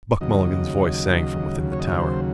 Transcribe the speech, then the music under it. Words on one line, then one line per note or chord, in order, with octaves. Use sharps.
Buck Mulligan's voice sang from within the tower.
D#2 C#3 F#3 D#5
C#5
D#5
C#5
C5